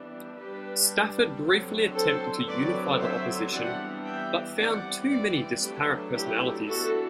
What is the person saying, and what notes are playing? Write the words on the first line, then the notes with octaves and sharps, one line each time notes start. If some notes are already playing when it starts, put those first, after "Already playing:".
Stafford briefly attempted to unify the opposition, but found too many disparate personalities.
Already playing: E3 G3 B3 D4
G3 D4 G4 B4
D3 F#3 C4
A4 C5
D3 F#3 C4 B4 D5
C5 E5
E3 G3 B3 D4 D5 F#5
E5 G5
E3 G3 C4 D5 F#5
B4 D5
F#3 A3 D4 G4 B4
E4 G4
E3 B3 D4 F#4 A4